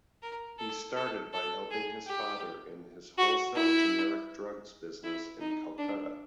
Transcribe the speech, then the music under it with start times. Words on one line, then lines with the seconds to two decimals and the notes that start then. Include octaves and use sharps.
He started by helping his father in his wholesale generic drugs business in Kolkata.
0.22 A#4
0.59 A4
0.96 A4
1.33 A4
1.71 G#4
2.08 G4
3.18 F#4
3.56 E4
5.04 E4
5.41 D#4
5.78 D4